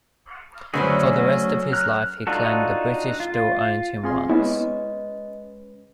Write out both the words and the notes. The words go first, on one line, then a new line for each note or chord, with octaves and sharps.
For the rest of his life he claimed the British still owed him one.
D3 F#3 A3 C#4 F#4 G#4 B4 C5
A#5 F6 F#6
D4 D#4 F4 F#4 A4
F4
C4 F4 G#4 C6
G#3 B3 C#4 E4 B4 D#5